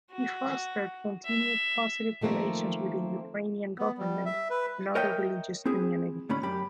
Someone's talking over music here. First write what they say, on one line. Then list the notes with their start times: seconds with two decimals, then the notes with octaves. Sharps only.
He fostered continued positive relations with the Ukrainian government and other religious communities.
0.12 F#4
1.26 E5
2.22 D#3 F3 A3 A#3 C4
3.79 B3
3.98 G3
4.25 E5
4.50 B4
4.95 A#4 C#5 D#5 E5 G5
5.66 C4 E4 G#4
6.29 D2 A2 C#4 B5
6.43 F#2 G4 B5